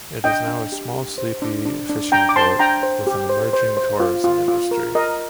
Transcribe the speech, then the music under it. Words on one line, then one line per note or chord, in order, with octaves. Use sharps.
It is now a small sleepy fishing port with an emerging tourism industry.
D4 D#5 G5
D4
G4
G4
C5
D4
D4
D4
D4 G5 A#5
D6
C5 A5 C6
D4 G5 A#5
C5
G4
C5
C5
C5
F4
F4
F4
A#4
A#4 D#5